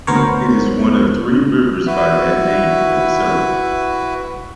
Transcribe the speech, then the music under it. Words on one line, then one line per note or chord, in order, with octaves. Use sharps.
It is one of three rivers by that name in Minnesota.
D2 B3 A#4 C5 C#5
E4 F#4 B4 E5